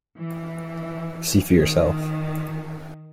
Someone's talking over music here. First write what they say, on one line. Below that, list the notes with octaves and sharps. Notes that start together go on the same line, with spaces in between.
See for yourself.
E3
D#3